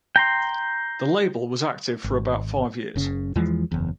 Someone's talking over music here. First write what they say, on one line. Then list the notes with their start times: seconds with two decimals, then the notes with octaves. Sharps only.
The label was active for about five years.
0.16 G5 A#5 C6
2.04 G#1
2.96 F#1 C#3
3.36 E2 E3 F3 G#3
3.72 F#1 E2